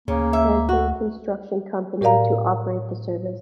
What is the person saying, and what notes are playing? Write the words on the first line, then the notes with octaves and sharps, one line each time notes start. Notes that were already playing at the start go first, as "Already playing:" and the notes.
Hanson Construction company to operate the service.
D2 C#3 A#3
E5
F#4
A2 G4 A#4 D5 F5 A#5